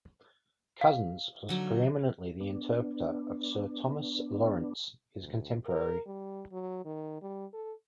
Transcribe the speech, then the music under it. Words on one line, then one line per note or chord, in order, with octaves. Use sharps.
Cousins was preeminently the interpreter of Sir Thomas Lawrence, his contemporary.
F5
D3 F#3 D#4
B3 D4
D2
A#4
G3
F#3
D#3
G3
A4